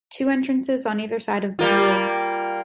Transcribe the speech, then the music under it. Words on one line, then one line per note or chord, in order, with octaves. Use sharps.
Two entrances on either side of boul.
G3 A#3 F4